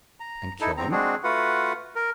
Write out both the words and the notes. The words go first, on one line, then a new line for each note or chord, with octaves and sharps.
"And kill him?"
A#5
D#4 E4 A4
E2 C4 A#5
G#3 C4 D4 F#4 G#4
A3 F4 F#4 B4 F#5
A#4